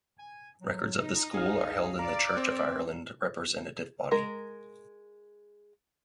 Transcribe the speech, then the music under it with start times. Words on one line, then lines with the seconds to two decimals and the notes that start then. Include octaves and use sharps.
Records of the school are held in the Church of Ireland Representative Body.
0.19 G#5
0.61 F#3
0.98 D#4
1.34 C2 G#4 F5 F6
1.99 D5 A#5
2.37 C4
4.11 G#3 A#4